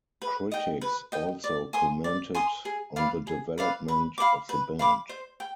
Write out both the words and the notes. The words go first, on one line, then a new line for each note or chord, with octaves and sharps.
Critics also commented on the development of the band.
B4
D#5 G5
B4
D#5 G5
D5
G#5 C6 D#6
D5
G#5 C6 D#6
G#4
B4 D5 F5
G#4
B4 D5 F5
B4
F5 B5 D6
B4
F5 B5 D6
C5
G5